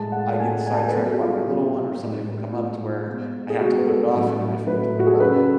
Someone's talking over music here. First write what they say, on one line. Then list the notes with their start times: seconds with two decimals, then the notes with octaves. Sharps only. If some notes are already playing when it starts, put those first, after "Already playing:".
I get sidetracked by my little one or something will come up to where I have to put it off, and then I forget to put it back on
Already playing: A2 G#3 A5
0.12 F#5
0.39 A2 G#3 G#5
0.66 G#5
0.73 A5
0.81 G#5
0.88 B4
0.92 B2 A4
0.97 F#3 G#4
1.07 F#4
1.19 F4
1.32 F#4
1.46 B2 F#3 F#4
1.99 A2 G#3
2.52 A2 G#3 F4
3.07 B2 G#3
3.50 G#4
3.60 B2 G#3 F#4
3.78 B4
3.87 A4
4.13 A2 F#3
4.67 A2 F#3 B4
5.00 F#4
5.07 G#4
5.13 A4
5.20 F#2 C#3 F#3 B4